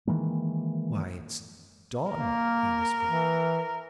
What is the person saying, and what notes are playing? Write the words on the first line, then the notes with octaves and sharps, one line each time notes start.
"Why, it's dawn," he whispered.
D#3 E3 G#3 A#3
A#3 A#4
E3